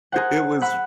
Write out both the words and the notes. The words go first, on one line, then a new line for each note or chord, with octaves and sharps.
it was
G#4 A#4 C5 F#5
F#5 B5 E6